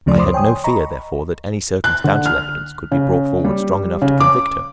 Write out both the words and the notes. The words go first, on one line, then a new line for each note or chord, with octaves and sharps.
I had no fear, therefore, that any circumstantial evidence could be brought forward strong enough to convict her.
D2 C#3 F3 A3 D5 C6
C5 B5 C6 D6 D#6
C#5 G5 G#5 C6 D#6
D#5 A#5 B5 C#6
F#6
D3
F6
C#3
G3
C#3
D6